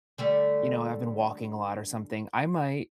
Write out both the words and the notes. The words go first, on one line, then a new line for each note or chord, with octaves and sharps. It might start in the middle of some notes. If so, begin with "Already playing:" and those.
you know, I've been walking a lot or something, I might,
D3 G3 A3